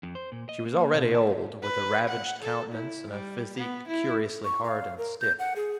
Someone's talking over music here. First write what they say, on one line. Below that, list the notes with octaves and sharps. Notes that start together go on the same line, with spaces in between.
She was already old, with a ravaged countenance and a physique curiously hard and stiff.
F2
C5
A#2
D#5
A#3
B2
A5
B4
F#5
A4
E4
G3
B3
E4
C#6
F5
A#4
G6
F#5
G#4